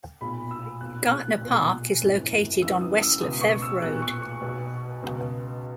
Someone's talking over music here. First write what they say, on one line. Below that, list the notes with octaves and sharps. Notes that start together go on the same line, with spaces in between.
Gartner Park is located on West LeFevre Road.
B1 A#2 B5
E6
B1 A#2 F#6
F#6
B1 A#2
G#1 F#2 E3
C#2 C#3 E3 E6
D#6
E6
C#2 B2 D#6
C#6
E6
B1 A#2 F#6
C#6
C#6
B1 B2
C#2 B2